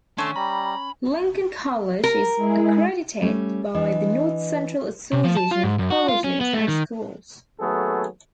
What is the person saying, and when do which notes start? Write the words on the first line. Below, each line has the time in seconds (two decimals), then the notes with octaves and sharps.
Lincoln College is accredited by the North Central Association of Colleges and Schools.
0.18 D#3 A3 C#4 D4 A5 C6
0.36 G3 A#5 B5
2.04 A#4
2.36 G#3 E4 G#4
3.22 G3 A3 C#4
3.75 E3 D4 D#5
5.13 C3
5.24 F3
5.37 A5
5.51 F4
5.64 G#2
5.79 F#2
5.91 F#4
6.09 F4
6.24 C#4
6.41 B3
6.53 A3
6.68 D#3
7.60 D#2 F#3 A3 B3 G#4 A4